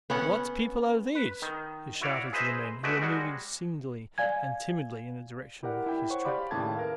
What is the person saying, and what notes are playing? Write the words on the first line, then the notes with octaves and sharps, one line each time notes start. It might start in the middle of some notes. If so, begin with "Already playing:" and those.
"What people are these?" he shouted to the men, who were moving singly and timidly in the direction of his trap.
B3 C#4 F#5
B4
D#3
E4 F#4 C#5 D5 F5
G#4 B4 C5 D#5 E5
G#3 A3 F#4 B4 D5 E5
G3 G#3 F#4
D5 F5 G#5 G#6
E4 G4 A#4 D5 F#5
E4 G5
C5 C#5 F#5 C#6
G4 D5 F5 B5 C6 D6
D#2 A2 C#3 G5 A5 G#6
A#4 B4 F5 A5